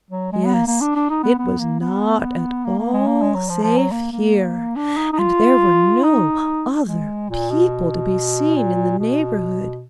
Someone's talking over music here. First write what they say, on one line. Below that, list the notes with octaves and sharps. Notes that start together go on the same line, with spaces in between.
Yes, it was not at all safe here, and there were no other people to be seen in the neighbourhood.
F#3
G#3
B3
A#3
A#3
D4
D4
D#4
B3
B3
A#3
B3
A#3
A#3
G#3
A#3
G#3
F#3
F3
F3
F#3
A#3
A#3
D4
D#4
D#4
F4
D#4
G#3
A#2
B2
A#2
B2